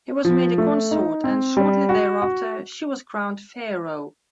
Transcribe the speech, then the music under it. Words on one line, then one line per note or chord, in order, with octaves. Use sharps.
He was made a consort and, shortly thereafter, she was crowned pharaoh.
F3
A3
D#4
C4
G3
F#4
F#4